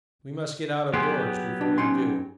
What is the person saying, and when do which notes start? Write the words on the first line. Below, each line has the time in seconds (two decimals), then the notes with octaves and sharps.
We must get out of doors before you do.
0.94 F#3 B3 G4 G#4 C6
1.61 D4
1.78 C#4 D#4 C6